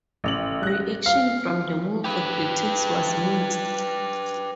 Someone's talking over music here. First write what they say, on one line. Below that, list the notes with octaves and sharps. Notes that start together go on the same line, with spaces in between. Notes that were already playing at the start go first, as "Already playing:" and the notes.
Reaction from the movie critics was mixed.
A1 F7 F#7
F#6 A#6
F5
G4 B4